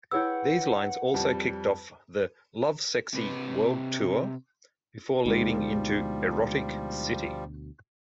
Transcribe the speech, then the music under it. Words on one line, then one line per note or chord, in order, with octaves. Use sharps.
These lines also kicked off the Lovesexy World Tour, before leading into "Erotic City".
E4 G#4 B4 C#5 F#5 G5 E6
F2 G3
C3 B4
D2 B2 F3 G3 G#3 D#4